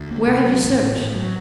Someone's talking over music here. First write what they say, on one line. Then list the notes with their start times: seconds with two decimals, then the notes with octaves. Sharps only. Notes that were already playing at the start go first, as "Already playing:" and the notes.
"Where have you searched?"
Already playing: D2
0.11 A#3
0.27 C3
0.45 F#3
0.63 A1
0.80 A1
0.98 A2
1.15 F#3